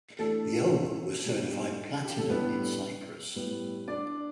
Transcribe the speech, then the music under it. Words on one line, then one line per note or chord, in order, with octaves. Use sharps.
The album was certified Platinum in Cyprus.
E3 A3 D4 A4
B2 G3 D4
G4
A4
A2 G3 B3 D4 B4
A2 G3 B3
D4 D5